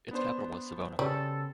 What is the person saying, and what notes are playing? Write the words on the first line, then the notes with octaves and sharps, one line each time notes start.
Its capital was Savona.
B3 D4 C5
C#3 G3 A4